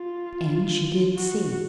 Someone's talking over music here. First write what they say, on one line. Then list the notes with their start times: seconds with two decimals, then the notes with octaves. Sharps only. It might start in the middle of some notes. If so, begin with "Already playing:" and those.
And she did see.
Already playing: F4
1.16 F#4